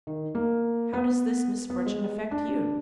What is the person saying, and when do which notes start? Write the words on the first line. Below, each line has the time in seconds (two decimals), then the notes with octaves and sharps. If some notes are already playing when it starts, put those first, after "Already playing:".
How does this misfortune affect you?
0.07 D#3
0.35 A#3
0.93 B3
1.70 B3
1.86 G#3
2.31 D4